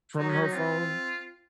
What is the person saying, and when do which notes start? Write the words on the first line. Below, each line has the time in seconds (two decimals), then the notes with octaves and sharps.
from her phone,
0.18 F#3 D#4
0.29 C#4
0.41 D#4
0.52 C4 F4